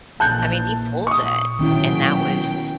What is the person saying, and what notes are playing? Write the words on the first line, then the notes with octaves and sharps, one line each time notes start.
I mean, he pulled it, and that was
A#1 A#2 E3 A5 F#6 G6
A#2 C#6 D#6
B2 D#3 F#3 C#4 E4 G5